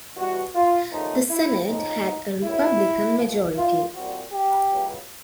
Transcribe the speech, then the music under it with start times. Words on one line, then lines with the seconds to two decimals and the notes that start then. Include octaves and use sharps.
The Senate had a Republican majority.
0.16 E2 B2 G3 F#4
0.55 F4
0.92 D#2 C#3 F3 A3 D#4
1.30 E4
1.68 F2 C#3 F3 D#4
2.44 D#2 C#3 F#3 B3 E4
3.19 C#2 C3 F3
3.57 F4
3.94 C2 A#2 G3 C4 F#4
4.32 G4
4.70 C#2 C#3 F#3 B3